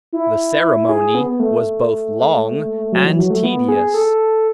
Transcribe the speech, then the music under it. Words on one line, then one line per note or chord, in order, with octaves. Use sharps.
The ceremony was both long and tedious.
E4
G#4
B3
A3
F#3
E3
F#3
A3
B3
G#4
A4